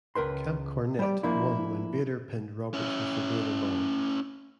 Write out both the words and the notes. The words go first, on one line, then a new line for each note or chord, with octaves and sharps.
Camp Cornette won when Vader pinned Roberts with the Vader Bomb.
C#2 A#4 B4 C6
G3 D5
F3 A#3 D4 E4
C#4 E4